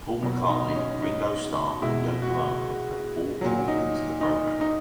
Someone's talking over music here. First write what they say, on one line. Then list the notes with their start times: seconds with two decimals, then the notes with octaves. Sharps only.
Paul McCartney, Ringo Starr, and Yoko Ono have all called into the program.
0.22 B2 F#3
0.49 D#4
0.69 D#4
0.76 C#4
1.02 D#4
1.82 B2 G#3 E4
2.22 F#4
3.41 A#2 F#3
3.68 D#4
4.21 D#4
4.61 D#4